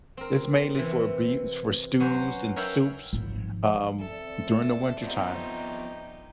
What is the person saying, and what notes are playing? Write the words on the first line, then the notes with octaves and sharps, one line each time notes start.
is mainly for bee is for stews and soups, um, during the wintertime.
C4 A#4
C3 E3
F#3 C#4 B4 C5
A#4 C#5 E5 F5 G5 B5
G#1 F3
C4 A4 D5 E5
F3 B3 D#4 F#4 G4